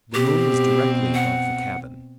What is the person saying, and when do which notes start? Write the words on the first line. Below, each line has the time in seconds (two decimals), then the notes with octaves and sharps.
The moon was directly above the cabin.
0.14 B2 C4 G4
1.14 F#5